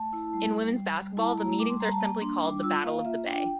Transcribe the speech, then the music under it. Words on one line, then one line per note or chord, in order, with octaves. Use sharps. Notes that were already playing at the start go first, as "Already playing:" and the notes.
In women's basketball, the meetings are simply called the Battle of the Bay.
Already playing: A3 A5
E4
G3
G3
G3
G3
E4 A5
A3 A#5
G3 D6
C6
G3 A#5
A5
A#3 A#5
D4 C6
G3 D6
F4 E6
A#3 F5
F4 E5
D4 G5